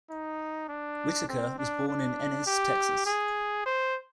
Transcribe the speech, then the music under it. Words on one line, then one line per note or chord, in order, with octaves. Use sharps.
Whitacre was born in Ennis, Texas.
D#4
D4
C4
D4
D4
G4
G#4
C5